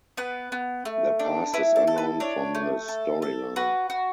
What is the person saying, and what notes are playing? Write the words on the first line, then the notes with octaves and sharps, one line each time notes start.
Their past is unknown from the storyline.
B3 B4
B3
A3
D4
E4 B4
A4
A4
B4
D4 C#5
A3
A4
A4
F#4 B4
F#4